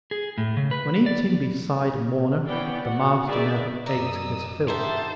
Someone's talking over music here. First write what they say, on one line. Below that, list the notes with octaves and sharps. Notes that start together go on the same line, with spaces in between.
When eating beside a mourner the Master never ate his fill.
G#4
A2
C#3
B4
D5
E3 B3 C#4 D5 G5
F#4 F#5
D#4 G#4 A#4 B4 D5 E5
F#2 A#4 D5 D#5 D#6 E6
G#2 B3 D#4 G4 A4 C5 E5 A6